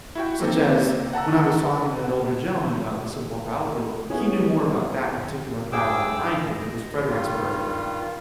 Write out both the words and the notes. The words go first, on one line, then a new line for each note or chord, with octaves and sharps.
Such as, when I was talking to that older gentleman about the Civil War battlefield, he knew more about that particular battle than I did, it was Fredericksburg,
E4 F#4 G5
A#3 C4 D#4 A4
F#5 A5 A#5 E6
B3 C#4 E4 G#4
G2 G#4 G5 D6 E6
D#5
G2 D#3 G3 F4